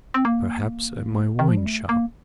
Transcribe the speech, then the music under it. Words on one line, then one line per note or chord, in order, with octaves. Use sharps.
"Perhaps at my wine-shop?"
C4
A#3
D#3
F3
G3
A3
A#3